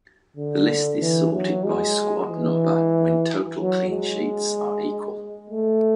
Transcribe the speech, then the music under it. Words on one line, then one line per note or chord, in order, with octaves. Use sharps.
The list is sorted by squad number when total clean sheets are equal.
D3
E3
F#3
G#3
E3
F#3
G#3
A3